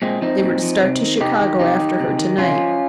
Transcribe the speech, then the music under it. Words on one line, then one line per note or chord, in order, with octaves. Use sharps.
They were to start to Chicago after her to-night.
A#2 G#3 C4
F3 C4 D#4
A#2
F3
C3
D#3
C3 D#4 G4
D#3
C3 D#4 G4
D#3
C3
D#3
C3 C#4 F4
F3